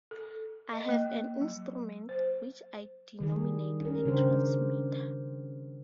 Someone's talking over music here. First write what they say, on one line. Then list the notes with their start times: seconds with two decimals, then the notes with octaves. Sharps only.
I have an instrument which I denominate a transmitter.
0.11 A4
0.73 D#5
0.89 A#3
1.41 F#3
2.09 C5
3.20 D#3 G3 G#4
3.81 C#4 A#4
4.05 C#3 D4 G4 C5